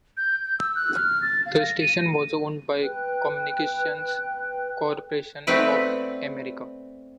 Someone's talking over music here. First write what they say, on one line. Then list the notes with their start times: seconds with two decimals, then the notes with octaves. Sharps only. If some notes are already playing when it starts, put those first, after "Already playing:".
The station was owned by Communications Corporation of America.
0.17 G6
0.45 G6
0.59 E6
0.75 F#6
0.95 F6
1.22 A6
1.46 F5
1.62 A#6
1.81 D#7
2.81 B4 G5 F#6
5.47 A3 B3 C4 B4 D5